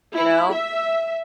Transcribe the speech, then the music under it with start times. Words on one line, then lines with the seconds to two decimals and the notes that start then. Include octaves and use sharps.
You know?
0.15 E4
0.55 E5